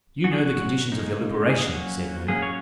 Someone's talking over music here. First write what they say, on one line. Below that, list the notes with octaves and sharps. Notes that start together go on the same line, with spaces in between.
"You know the conditions of your liberation?" said Herne.
F#3 C#4 F#4
G#4
F#4
C#3 G#3 C#4 D#4
G#4
F#3 A#3 C#4 F#4
F#3 A#3 C#4 G#4
C#5